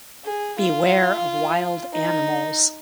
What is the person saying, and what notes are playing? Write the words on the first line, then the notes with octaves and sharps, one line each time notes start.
Beware of wild animals.
G#4
F4
D#4